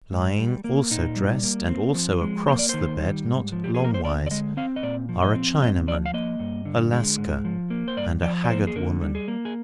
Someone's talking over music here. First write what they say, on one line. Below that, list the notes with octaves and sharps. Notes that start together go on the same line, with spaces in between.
Lying, also dressed and also across the bed, not longwise, are a Chinaman, a Lascar, and a haggard woman.
G#2
G3
A#3
A#2 D#4
G3
A#3
C4
F3
G#3
A#3 C5
D5
D#3 C5
G3
G#2
F3
G4
A#3 G#4
A#4
C5
D3 D5
D5
G#3 D#5
C4 F5
D#5
A#2 D5
F3
D#5
C4
G#2 D#5
F3 D5
F5
A#3 D#5
G2
D3
G#3
G#2
F3
A#3
C5
G2 D5
F3 D5
D5
A#3 C5
G#4
D3 A#4
G3
G#4
A#3
G#4